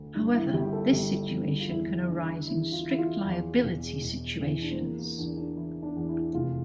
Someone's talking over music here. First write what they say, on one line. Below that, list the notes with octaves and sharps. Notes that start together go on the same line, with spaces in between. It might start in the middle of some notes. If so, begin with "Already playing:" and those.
However, this situation can arise in strict liability situations.
Already playing: D2
G2
E4
G1 G4
A4
G1 G4
G1
F4
E2 E4
E2 D4
E3 E4
F4
E3 E4
F4
E2
E1
E1
E3
D4
C4
E2 A#3
A#3
E2 D4
D4
E3 E4
D4
E2
E4
F1 F4